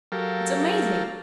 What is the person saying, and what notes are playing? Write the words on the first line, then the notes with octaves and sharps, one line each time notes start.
It's amazing!
F#3 G4 A4 A#4 F5